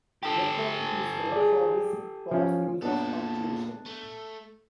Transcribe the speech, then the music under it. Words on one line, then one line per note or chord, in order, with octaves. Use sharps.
McCarthy is known for his sparse use of punctuation.
G4 A4
G#4 D5
F3 C#4
A#2 B3 D4 A4
A3